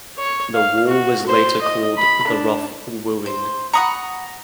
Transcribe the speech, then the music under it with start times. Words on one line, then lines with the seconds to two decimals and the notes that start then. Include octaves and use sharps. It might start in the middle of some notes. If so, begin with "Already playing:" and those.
The war was later called the "Rough Wooing".
0.18 C#5
0.54 F5
0.88 F#4
1.27 C5
1.62 D#5
1.97 B5
2.27 D4
3.26 C5
3.73 F#5 A#5 B5 C#6 D#6